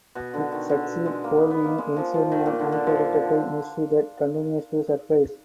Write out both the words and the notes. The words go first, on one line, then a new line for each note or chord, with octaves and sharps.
It succeeds wholly in ensuring an unpredictable mystery that continues to surprise.
B2
D3
D#3
D3
B2
G#3
A#3
B3
B3
A#3
G#3
F3
F3
D#3
A#2
D3
D3
F3